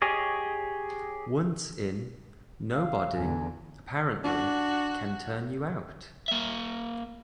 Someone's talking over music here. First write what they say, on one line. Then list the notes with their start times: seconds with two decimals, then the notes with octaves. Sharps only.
Once in, nobody, apparently, can turn you out.
0.02 G4 G#4 C#5 D#5
2.74 F5
3.17 E2 D3 G#5
4.24 D4 F#4
6.28 A#3 E5